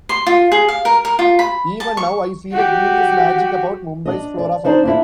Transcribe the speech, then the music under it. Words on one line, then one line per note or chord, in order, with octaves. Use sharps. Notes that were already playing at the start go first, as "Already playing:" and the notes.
Even now I feel a curious magic about Mumbai's Flora Fountain.
C6
F4
G#4
F5
A#4
A#4
F4
B5
A5
C#6
F#4 G4 F#5
D4 D#5
D5
D4 D#4 C5 D5
A#3 D4 E4